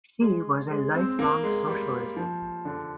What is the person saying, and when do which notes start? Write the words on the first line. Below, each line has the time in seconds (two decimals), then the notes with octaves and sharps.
She was a lifelong socialist.
0.21 G#3
0.70 G#3
0.94 C4
1.19 A#3
1.43 G#3
1.68 G3
2.17 F3
2.65 D3